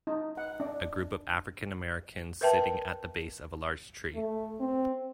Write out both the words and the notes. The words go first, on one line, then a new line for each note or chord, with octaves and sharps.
A group of African Americans sitting at the base of a large tree.
D#4
F#5
D4
A#4 B4 E5 G5 A5
A3
C4